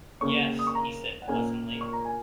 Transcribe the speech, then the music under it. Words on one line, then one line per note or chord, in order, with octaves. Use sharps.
"Yes," he said pleasantly.
C#3 A#3 C#4 C#6
D#6
C#6
A#5
F#5
A#2 A#3 C#4 G#5
C#6
A#5
G#5